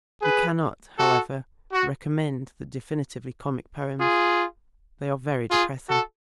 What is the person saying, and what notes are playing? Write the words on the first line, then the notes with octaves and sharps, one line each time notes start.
We cannot, however, recommend the definitely comic poems. They are very depressing.
G#4 B4
F#4 A4
F#4
F4 G#4
F4 G#4
F#4 A4